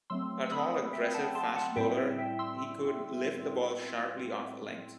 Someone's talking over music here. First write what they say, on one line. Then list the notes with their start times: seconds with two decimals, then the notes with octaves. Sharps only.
A tall aggressive fast bowler, he could lift the ball sharply off a length.
0.10 F#3 A3 C4 C6 E6
0.46 E6
0.51 B5 D#6
0.93 E5 G5
1.14 F#5 A5
1.35 A5 C6
1.56 F#5 A5
1.76 A2 G3 C4 E4 E5 G5
1.97 E5 G5
2.18 E5 G5
2.39 C6 E6